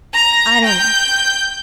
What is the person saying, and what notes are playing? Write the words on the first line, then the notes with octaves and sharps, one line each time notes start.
'I don't know.
A#5 A#6
G5 G6